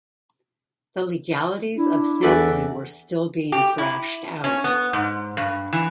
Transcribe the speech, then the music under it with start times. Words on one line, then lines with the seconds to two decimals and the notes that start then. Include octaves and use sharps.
The legalities of sampling were still being thrashed out.
1.76 D4 E4
2.23 E2 A4 B4 D5
3.52 G4
3.78 E4
4.44 C#4
4.64 B3
4.93 G#2
5.37 G2
5.73 E3